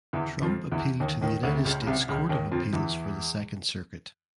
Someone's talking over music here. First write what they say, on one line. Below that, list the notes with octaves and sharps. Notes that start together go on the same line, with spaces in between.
Trump appealed to the United States Court of Appeals for the Second Circuit.
E2 E3
F2 F3
E2 E3
D#2 D#3
D#2 D#3
D2 D3
C3
C#2 C#3
C#3
C2 C3
C#2 C#3
D#2 D#3
F2 F3
E2 E3